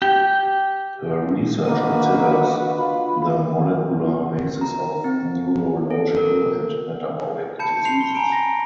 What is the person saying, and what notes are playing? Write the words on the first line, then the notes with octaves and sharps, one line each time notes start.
Her research considers the molecular basis of neurological and metabolic diseases.
G4 G5
A#3 D4 F#4 B4 D#5
F4 B5
A#5
C4
A4
A#4
A5 B5 G6 C#7
C6 C7 F7
G7
G#5 A#5 D7
A#6